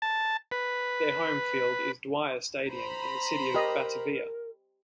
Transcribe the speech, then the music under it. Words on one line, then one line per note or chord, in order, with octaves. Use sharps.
Their home field is Dwyer Stadium in the city of Batavia.
A5
B4
C5 A#5 B5
G4 A#4 D#5